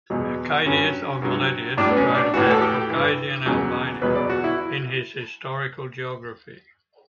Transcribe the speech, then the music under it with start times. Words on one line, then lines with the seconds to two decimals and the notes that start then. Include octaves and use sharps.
Hecataeus of Miletus wrote about Caucasian Albania in his "Historical Geography".
0.10 E2 B2 F#3
0.66 G2 F#3 C#4
1.22 G2 F#3
1.78 A2 F#3 D4
1.90 B3
1.97 C#4
2.15 D4
2.34 A2 E3 F#4
2.51 A4
2.61 G4
2.90 G2 E3
3.46 E2 C#3 F#3
4.01 E2 B2 F#3 B4
4.15 D5
4.30 F#4
4.44 E4